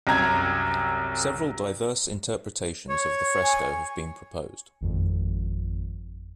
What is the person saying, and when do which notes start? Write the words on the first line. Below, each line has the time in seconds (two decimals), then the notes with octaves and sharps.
Several diverse interpretations of the fresco have been proposed.
0.07 C2 F#2 A#5 G#6
2.90 C#5
3.43 G#5
4.81 G#1 F2